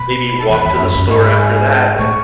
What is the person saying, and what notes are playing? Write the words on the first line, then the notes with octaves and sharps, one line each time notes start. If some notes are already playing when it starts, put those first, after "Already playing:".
maybe walk to the store after that and,
Already playing: B2 B5
A5
E2 B5
E2
F#2
F#2
G#2 C#6
A5
B5
G#5
G#5
A5
A2 C#6